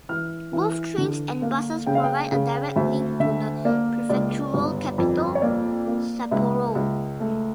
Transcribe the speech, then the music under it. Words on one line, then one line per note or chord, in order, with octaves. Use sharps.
Both trains and buses provide a direct link to the prefectural capital, Sapporo.
E3 F6
E3
D3
A#3
C#3 G5
F5
G5
C#3
D2 E5
D3 E5
A#3 D5
C#2 D5
G1
F2
C#5
A#3 D5
A#3
C#2 E5
C#2
A3